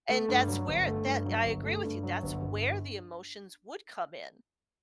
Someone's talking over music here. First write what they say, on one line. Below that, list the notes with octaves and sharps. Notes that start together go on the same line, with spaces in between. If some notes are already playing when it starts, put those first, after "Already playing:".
And that's where that I agree with you, that's where the emotions would come in
A3
G2
F#3
G1
A3
G2
F#3
G1
A3
G2
F#3
G1
G1